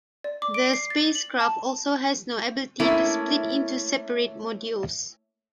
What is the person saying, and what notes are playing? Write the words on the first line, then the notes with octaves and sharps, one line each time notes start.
The spacecraft also has no ability to split into separate modules.
D5
D6
D7
C7
A6
F#7
A5
A3 A#3 C#4 E4